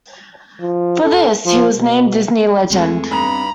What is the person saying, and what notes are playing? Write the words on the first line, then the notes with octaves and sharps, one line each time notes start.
For this, he was named a Disney Legend.
F3
A4
F3
B2
E2 G#3 A3 C4
G2 B3 C4 D#4 A#5 B5